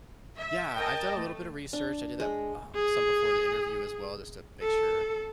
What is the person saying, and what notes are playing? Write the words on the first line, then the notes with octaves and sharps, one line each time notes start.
Yeah, I've done a little bit of research. I did that, um, some before the interview as well just to make sure
E5
A#4 D#5 G5 A5
A3
D4
G#3
G#4
A4